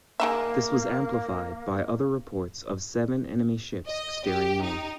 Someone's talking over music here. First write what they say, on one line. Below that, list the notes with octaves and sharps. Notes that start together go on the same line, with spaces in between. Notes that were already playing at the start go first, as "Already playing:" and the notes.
This was amplified by other reports of seven enemy ships steering north.
G#3 A#3 D#4 E5
D#5
G4
D#4